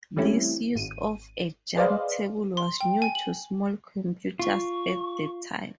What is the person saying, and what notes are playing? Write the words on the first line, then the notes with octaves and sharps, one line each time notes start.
This use of a jump table was new to small computers at the time.
E3 G3 A3 C4 C#4 E4
G#1 D#7
G#4 B4 C5 D5 D#5 F5
C6
G5
G#5
F#7
F4 C#6